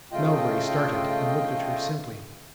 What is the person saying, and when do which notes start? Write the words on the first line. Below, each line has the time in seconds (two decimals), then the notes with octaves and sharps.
Melbury started, and looked at her simply.
0.12 C#3 A3 F4 D#5 G5